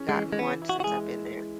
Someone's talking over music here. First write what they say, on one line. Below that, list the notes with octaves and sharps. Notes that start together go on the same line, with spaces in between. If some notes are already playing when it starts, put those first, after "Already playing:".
gotten one since I've been there.
Already playing: E3 C#4 G#4
G#3
E3
G#3
E3 B3
E4
F#4
F#4
G#3 G#4